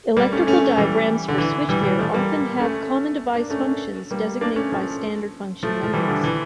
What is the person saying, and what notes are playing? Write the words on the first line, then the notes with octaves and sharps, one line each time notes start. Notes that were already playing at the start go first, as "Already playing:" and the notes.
Electrical diagrams for switchgear often have common device functions designate by standard function numbers.
G3 A#3
A3 C#4
A3 C#4
A3
E3 G3
D3
E3
E3 G3
E3 G3
F3 A3
G3 A#3
A3 C#4
A#3 D4
A3 C#4
G3 A#3
A#3 D4
A3 C#4
F3 A3
F3 A3
F3
E3 G3
D3 F3
E3